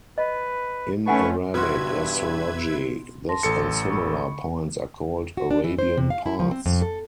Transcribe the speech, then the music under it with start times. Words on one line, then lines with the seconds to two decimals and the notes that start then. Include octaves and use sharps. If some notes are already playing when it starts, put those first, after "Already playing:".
In Arabic astrology, this and similar points are called Arabian Parts.
0.18 B4 D#5
1.06 A3 C#4 D#4 B4 F#5 G#5 C#6
1.54 G2 B2 F#4 B4 E5 B5 C6 G#6
3.29 A5 C6 A#6
3.43 A1 A4 C#7
3.90 B5 C#6
5.37 F#4
5.51 D4
5.64 E3
5.79 C5
5.97 C3
6.10 F5
6.26 E4
6.40 F3
6.51 C4
6.66 F2
6.82 A4